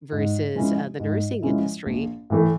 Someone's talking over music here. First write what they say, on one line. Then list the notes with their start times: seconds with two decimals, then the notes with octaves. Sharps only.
versus, uh, the nursing industry,
0.12 G#2
0.56 F3 G#3 C#4 E4
1.00 G#2
1.43 F3 G#3 C#4 E4
1.86 A#1
2.30 A2 E3 A3